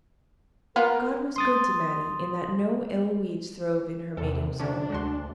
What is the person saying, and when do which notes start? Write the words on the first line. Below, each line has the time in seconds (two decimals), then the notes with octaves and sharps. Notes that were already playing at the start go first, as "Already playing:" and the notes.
God was good to Mattie in that no ill weeds throve in her maiden soul.
0.76 A#3 B3 F4 A#4
1.36 C6 D#6 A6
4.17 E2 C3 A4
4.59 D3 C#4 D4
4.90 D2 G#3 F#4 C6